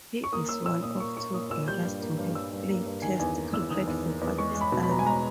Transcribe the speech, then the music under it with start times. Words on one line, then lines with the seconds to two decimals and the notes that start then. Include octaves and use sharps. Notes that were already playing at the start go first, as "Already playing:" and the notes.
He is one of two brothers to have played test cricket for Pakistan.
0.24 C#6
0.32 A#3 D#6
0.49 A#3 E6
0.66 A#2 E6
0.82 A#2 D#6
1.00 A#3 C#6
1.17 A#3 C#6
1.34 A#2 D#6
1.50 A#2 E6
1.68 G3 G6
1.84 G2
2.01 A#3
2.18 G2
2.35 G3 E6
2.52 G2
2.68 A#3
2.86 G2
3.02 D#3 G#5
3.19 E2 G#5
3.37 A#3
3.53 E2 E6
3.71 D#3 D#6
3.87 E2
4.04 A#3
4.21 E2
4.38 G#3 C#6
4.55 G#3
4.61 B5
4.72 B2
4.83 B5
4.89 B2 A#5
4.99 G#5
5.05 G#3 A#5